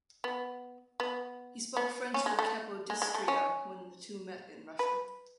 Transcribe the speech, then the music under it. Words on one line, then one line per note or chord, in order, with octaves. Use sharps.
He spoke French with Capodistria when the two met in Russia.
B3
B3
B3
C#4
G#3
A3
G#3
G#3
A3
C#4
B4